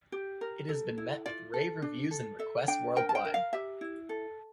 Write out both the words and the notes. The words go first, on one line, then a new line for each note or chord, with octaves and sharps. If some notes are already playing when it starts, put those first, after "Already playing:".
It has been met with rave reviews and requests, worldwide!
G4
A#4
A4
E4
F4 D5
A4
D4
A4
A4 E5
D4 G5
A#4 G5
A5
G5
A#4
F5
G4 E5
E4
A4